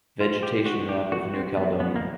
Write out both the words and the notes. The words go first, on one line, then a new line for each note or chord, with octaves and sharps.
Vegetation map of New Caledonia.
F4
G4
F#4
G4
F#4
C4
B3
B3
A#3